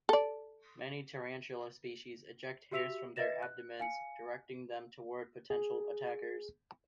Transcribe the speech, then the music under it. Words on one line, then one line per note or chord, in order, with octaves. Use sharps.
Many tarantula species eject hairs from their abdomens, directing them toward potential attackers.
A4 D5
F#4 G4 E5 E6 B6 F7
B4 D#5 E5 A6 A#6 E7
F#6
F5 G#5 C#7
G#4